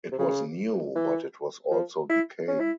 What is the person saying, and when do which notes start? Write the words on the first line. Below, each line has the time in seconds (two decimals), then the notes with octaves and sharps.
It was new, but it was also decaying.
0.11 C3
0.19 C#3
0.95 E3
1.71 F3
2.09 E4
2.48 C#4
2.60 E4